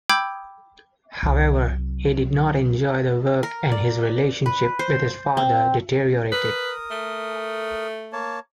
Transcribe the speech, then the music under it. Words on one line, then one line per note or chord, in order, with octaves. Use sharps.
However, he did not enjoy the work and his relationship with his father deteriorated.
G5 B5 D6 E6 G6 G#6
C2 F#3
A#4
D5
B4
C5
C4
A#4 B4 D#6
A3
A#3 C#5 A5